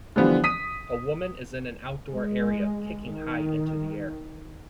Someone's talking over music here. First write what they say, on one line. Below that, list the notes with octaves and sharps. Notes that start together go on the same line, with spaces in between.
A woman is in an outdoor area kicking high into the air.
D3 E3 F3 G3 B3
D#6 B6 D#7
G#3
D#3